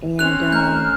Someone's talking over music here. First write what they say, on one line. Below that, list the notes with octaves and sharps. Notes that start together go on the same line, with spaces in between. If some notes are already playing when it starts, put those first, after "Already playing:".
And, um
C4 C#4 F#6 F7
A3 A#5 F6 G6